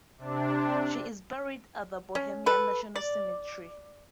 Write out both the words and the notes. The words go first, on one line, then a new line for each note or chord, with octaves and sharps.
She is buried at the Bohemian National Cemetery.
C3 D4
C#4
A4 B4
D5